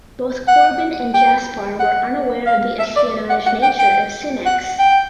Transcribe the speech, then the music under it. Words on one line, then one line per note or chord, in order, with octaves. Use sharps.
Both Corbin and Jaspar were unaware of the espionage nature of Simex.
F#5
G5
F#5
F5
E5
D5
F#5
F#5
G5
G5
F#5
G5